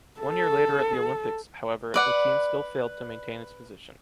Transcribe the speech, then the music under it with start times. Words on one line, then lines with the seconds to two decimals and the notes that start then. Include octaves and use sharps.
One year later at the Olympics, however, the team still failed to maintain its position.
0.21 A4
1.94 B4 D5 F#5